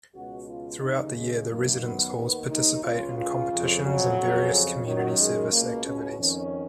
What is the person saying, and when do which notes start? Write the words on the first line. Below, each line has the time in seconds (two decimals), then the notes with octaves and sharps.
Throughout the year the residence halls participate in competitions and various community service activities.
0.14 C#2 B2 F#4
0.49 F4
0.82 D#2 C#3 D#4
1.16 G#3
1.49 F#2 D#3 A#3
1.83 B3
2.17 D#2 D#3
2.49 D#4
2.83 C#2 C#3 F4
3.17 F4
3.50 F2 C#3
3.84 F#3
4.18 F2 C#3
4.85 F#2 D#3 F#3
5.18 G#3
5.52 C#2 B2 A#3
5.86 C#4
6.19 F2 D#3 C#4